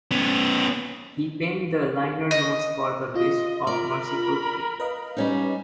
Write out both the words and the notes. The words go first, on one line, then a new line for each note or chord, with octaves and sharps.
He penned the liner notes for the Best of Mercyful Fate.
B3 C#4
D#5
F4 D#5
A#4 D5 B5
B4 D#5 F5
G3 C#4 D#4